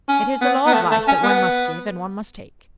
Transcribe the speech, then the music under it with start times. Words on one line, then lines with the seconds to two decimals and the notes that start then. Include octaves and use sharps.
It is the law of life that one must give, and one must take.
0.08 C#4
0.41 B3
0.66 B3
0.74 A3
0.91 A3
1.07 C#4
1.23 B3